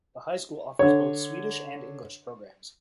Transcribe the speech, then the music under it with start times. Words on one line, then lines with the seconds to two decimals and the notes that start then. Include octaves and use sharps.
The high school offers both Swedish and English programs.
0.79 D3 C#5